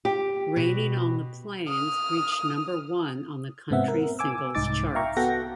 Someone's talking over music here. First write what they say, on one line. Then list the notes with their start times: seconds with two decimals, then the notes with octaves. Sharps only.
"Raining on the Plains" reached number one on the country singles charts.
0.05 G4
0.56 B2
1.68 D#6 F6
3.71 G#2 C3 B3 C4 E5 F#5
3.88 A#4
4.19 G#5 D6 E6
4.55 C2 G#2 D#4 D6 A6
4.95 E5 F5 G5 A#5 C#6
5.17 B3 F#4 A4 F#5 G5 A#6